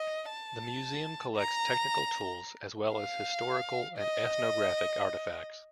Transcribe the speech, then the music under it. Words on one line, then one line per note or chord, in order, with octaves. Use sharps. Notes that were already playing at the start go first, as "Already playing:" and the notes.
The museum collects technical tools, as well as historical and ethnographic artifacts.
Already playing: D#5
A5
A#5
F5
D#5